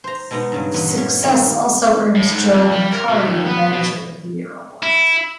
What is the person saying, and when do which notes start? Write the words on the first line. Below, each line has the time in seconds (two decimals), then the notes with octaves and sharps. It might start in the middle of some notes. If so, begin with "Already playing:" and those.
This success also earned Joe McAree the Manager of the year award.
0.04 C5 A#5
0.31 B2 G#3 B3 D#4 A#5
0.52 G2 C#3 F#3
0.74 E2 A#2 B3
0.98 C#4
1.23 D#3 G3 A#3
2.16 A2
2.31 G#2
2.54 F2
2.71 G3
2.93 A#4
3.09 B2
3.24 D#2
3.46 B3
3.72 B2
4.83 E4